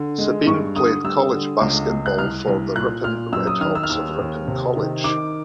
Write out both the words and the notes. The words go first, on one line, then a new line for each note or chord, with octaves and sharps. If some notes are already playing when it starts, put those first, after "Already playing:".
Sabin played college basketball for the Ripon Red Hawks of Ripon College.
Already playing: D3
G#3
G2 C#6
D3 D#6
G3 E6
D3
C#2
C#2
F#6
C2 F6
C2
A#2 F#6
A#2 F6
F#2 E6
D#6
D#3 F6
E6
F6
D#2 E6
D#2
C3
D#3
D#3 D6